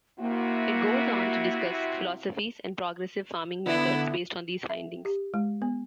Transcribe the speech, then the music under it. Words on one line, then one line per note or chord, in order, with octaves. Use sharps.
It goes on to discuss philosophies and progressive farming methods based on these findings.
C3 A#3 E4 F#4
D3 B3 E4
E5
G4
G#3
B3